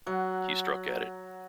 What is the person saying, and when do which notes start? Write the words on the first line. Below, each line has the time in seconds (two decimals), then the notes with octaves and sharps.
He struck at it.
0.06 F#3 F#5